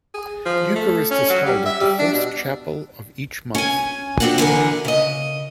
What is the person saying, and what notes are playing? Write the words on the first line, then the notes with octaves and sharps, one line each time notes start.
Eucharist is held at the first chapel of each month.
G#4
F3
A3
C#4
F#3
G3
E5
G3
D4
B2
C#4 G#5
F2 C4 D4 F#4 F#5
E2 D3 A#4 G#5
C#3 D#5